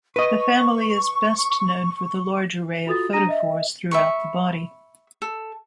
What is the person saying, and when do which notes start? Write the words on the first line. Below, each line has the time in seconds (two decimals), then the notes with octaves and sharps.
The family is best known for the large array of photophores throughout the body.
0.16 B4 D#5 C#6
2.87 F4 F#4 A4 D#6 A6
3.13 D4 A#5 D#6 A#6 D#7
3.29 D#5 E5
3.91 E5 B5 C#6
5.22 A4